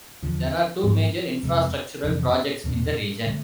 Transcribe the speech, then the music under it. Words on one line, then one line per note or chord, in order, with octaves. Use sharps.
There are two major infrastructural projects in the region.
E2 D3 F3
G#2 F3 B3 D4
F2 C3 G#3
F2 C3 E3
E2 B2 A3 D4
D3 A3